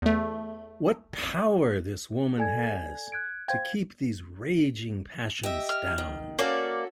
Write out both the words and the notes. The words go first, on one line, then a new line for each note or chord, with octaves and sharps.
What power this woman has to keep these raging passions down!
E2 A3
A4 D5 G#5 G#6
F#6 G#6 D7
C5 F5 G5 G#6
G4 D#5 E5
F6
D#3
A#3 C#4 F#4 A4 D5